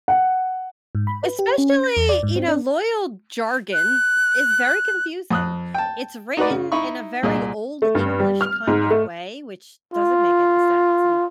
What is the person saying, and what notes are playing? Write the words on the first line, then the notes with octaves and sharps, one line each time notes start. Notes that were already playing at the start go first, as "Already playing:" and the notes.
Especially, you know, loyal jargon is very confusing, it's written in a very old English kind of way, which doesn't make any sense in
F#5
G#2
B5
B4
G4
C#4
A#6
E2
D5
G#2
C4
D4
F#6
F2 D#6 F#6
G5 A5
D#4 F#4 B4 D5
C#3
D#4 E4 B5 C#6
C2 A#2 G#4 D#5
A3
G2
G3
F6
G#2
A3
F4